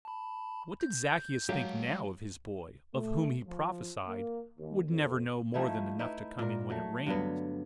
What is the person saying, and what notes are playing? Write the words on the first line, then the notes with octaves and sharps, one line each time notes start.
What did Zaccheus think now of his boy of whom he prophesied "would never know more than enough to come in when it rains"?
A5 B5
G6
F#3 G#3 G4 F5 A5
A3
F3
A#3
D#2
F2
F3 A3 D#4 E4
D#4 E4 B4
A#2 A#4
F#3 A3
G2 D3 F#3 B3